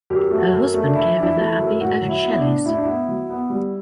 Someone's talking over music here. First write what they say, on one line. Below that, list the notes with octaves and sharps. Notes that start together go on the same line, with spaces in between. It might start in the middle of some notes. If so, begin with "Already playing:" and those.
Her husband gave her the Abbey of Chelles.
F#2 G4
A3
F#4
F#2
A3
D4
E3 E4
E3 D4
E4
A3
E4
F#2
A2 F#4
F#3
E4
B3
E4
D4
A2
A2 E4
D4
B3 E4
F#3
B3
G3